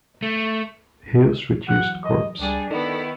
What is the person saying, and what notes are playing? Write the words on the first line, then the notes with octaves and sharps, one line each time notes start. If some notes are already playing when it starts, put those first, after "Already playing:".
Hill's reduced corps.
A3
E3 F#3 F#5
D#5
C#2 G3 D4 G#4
D#3 B3 D#4 E4 A4 D5